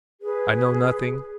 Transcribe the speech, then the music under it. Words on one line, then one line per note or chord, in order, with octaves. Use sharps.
I know nothing.
G#4 B4